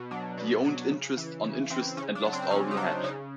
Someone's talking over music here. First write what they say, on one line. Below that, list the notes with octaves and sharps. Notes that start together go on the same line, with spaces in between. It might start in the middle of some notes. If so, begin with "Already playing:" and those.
He owed interest on interest and lost all he had.
Already playing: B2
F#3 D4
B2
F#3
C#3
E3
C#3
E3 C4
C#3 C#4
D4
F#3
C4
C#3 C#4
D#4
F#3 D4
C#3 D#4